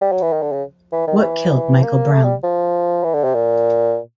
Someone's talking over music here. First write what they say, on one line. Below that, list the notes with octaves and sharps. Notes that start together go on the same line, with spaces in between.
What Killed Michael Brown?
G3
F#3
E3
D#3
D3
C#3
E3
D#3
E3
A#3
A3
G3
F3
E3
D3
C3
A#2